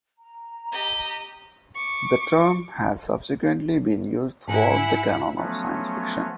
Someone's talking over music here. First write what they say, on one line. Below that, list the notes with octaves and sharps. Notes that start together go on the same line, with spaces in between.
The term has subsequently been used throughout the canon of science fiction.
A#5
G4 D#5
C#6 D6
G#2 E4 F#5 G#5
F3 F#3 A3 B3 C#4